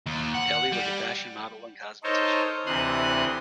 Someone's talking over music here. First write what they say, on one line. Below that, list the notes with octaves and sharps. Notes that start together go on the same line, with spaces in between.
Elly was a fashion model and cosmetician.
D#2
F#5
G3
D#4 A4 A#4 C5 C#5 D#5
D2 C3 E3 C6 D#6 F#6